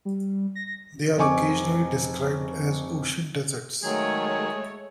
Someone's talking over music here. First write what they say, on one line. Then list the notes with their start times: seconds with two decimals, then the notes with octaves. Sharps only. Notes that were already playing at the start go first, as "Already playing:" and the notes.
They are occasionally described as "ocean deserts".
0.05 G3
0.55 A#6
1.17 F1 C4 D#5 G#5 C#6 D6
3.84 D#3 F#3 G#3 A3 G#4 C#5